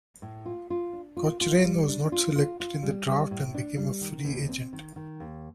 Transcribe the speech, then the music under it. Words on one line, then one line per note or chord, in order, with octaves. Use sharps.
Cochrane was not selected in the draft and became a free agent.
A2
F4
F4
D4
F4
F4
G3
D4
F4
F4
F4
G3
G3
A2
D4
G3
D#3
D#2
C4
D#3
D#3
D#2